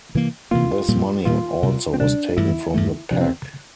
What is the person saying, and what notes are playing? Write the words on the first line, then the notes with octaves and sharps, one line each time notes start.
This money also was taken from the pack.
C3 E3 A#3
C3 E3 A#3 F4
A#2 G3 A#3
A#2 G3 A#3 F4
D2 C3 G3
C4
D2 C3 G3 D4
G2 E3 A3 E4
G2 E3 A3
C3 F3 D4
C4